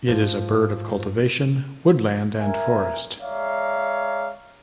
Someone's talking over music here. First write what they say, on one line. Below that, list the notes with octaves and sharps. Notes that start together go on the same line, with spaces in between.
It is a bird of cultivation, woodland and forest.
G#2 F3
A#4 E5 G#5
G#3 C#5 D5 E5 F5 A#5